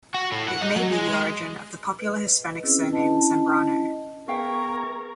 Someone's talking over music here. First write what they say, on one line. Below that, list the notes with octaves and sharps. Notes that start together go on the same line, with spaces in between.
It may be the origin of the popular Hispanic surname Zambrano.
F#4
A2
F#5
D#4
F#3
G#3
G#3
B4 D#5
C4 C#4 E4 G#4 B4 E6
C#4 D4 E4 D#5 A5
B3 G#4 A#4 E5 F5 G5 A#5 C#6